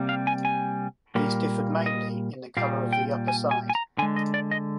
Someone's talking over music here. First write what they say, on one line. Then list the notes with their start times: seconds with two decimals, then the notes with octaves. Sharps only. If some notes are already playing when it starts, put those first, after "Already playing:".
These differed mainly in the colour of the upper side.
Already playing: C3 G3 A#3
0.09 F5
0.27 G#5
0.45 G#5
1.15 A#2 G3 A#3
1.86 D#5
2.57 A#2 G3 A#3 F5
2.93 G5
3.28 G#5
3.51 G#5
3.69 G#5
3.75 A#5
3.98 D3 G#5
4.02 G#3
4.16 D#5
4.34 D5
4.51 D#5